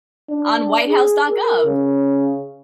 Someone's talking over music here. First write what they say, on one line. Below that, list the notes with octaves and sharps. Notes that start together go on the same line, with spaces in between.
On whitehouse.gov.
D4
G#4
A#4
C#3